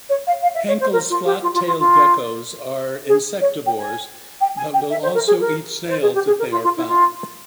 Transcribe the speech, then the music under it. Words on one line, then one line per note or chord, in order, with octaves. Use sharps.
Henkel's flat-tailed geckos are insectivores, but will also eat snails if they are found.
C#5
F5
F5
E5
C#5
C5
A#4
F4
G4
F4
F4
F4
F4
G#4
C#5
G5
G#5
G5
G#5
G5
E5
C5
A#4
G#4
A#4
C5
G#4
G4
G#4
A#4
F4
F4
E4
F4